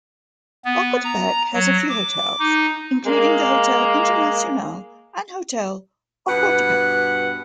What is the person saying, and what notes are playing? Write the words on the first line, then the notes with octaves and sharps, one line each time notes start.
Ocotepeque has a few hotels, including the Hotel Internacional and Hotel Ocotepeque.
B3
A#5
F#3
D6
D#4
G#3 A#3
G2 B2 B4 F#5